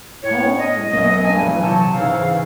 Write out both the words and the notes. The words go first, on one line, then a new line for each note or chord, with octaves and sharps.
Paul and then on to Denver.
A2 C#5
D#5
B1 F#2 F#3 D#5
G2 G#5
C3 F#3 A5
G#2 C#3 E3 F5